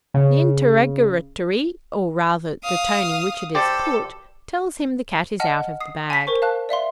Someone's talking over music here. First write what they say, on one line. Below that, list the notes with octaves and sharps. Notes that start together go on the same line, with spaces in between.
The interrogatory, or rather the tone in which it is put, tells him the cat is out of the bag.
C#3
F5 D#6
G4 A4 C5 D5
D#5 F#5 G#5 A5 F6
D#6 C7
G#5 A5 B6
A#4 C5 C#6
F5 A5 F#6
D5 E5 F5 C6